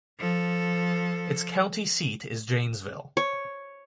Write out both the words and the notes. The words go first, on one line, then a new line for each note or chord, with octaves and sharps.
Its county seat is Janesville.
F3 A4
C#5